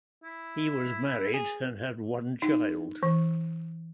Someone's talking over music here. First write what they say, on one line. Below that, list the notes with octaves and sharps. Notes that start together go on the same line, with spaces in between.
He was married and had one child.
E4
G#4
D#4
E3